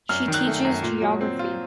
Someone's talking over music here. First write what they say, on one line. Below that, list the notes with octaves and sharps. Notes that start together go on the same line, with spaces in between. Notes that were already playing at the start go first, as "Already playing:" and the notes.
She teaches geography.
F#2 F6
D#3
F#6
A3
F#2
A#2
F#3
C4
F4